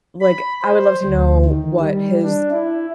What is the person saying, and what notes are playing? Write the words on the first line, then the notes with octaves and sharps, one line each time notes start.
Like, I would love to know what his
B5
C5
D2
D#3
G3
D4
E4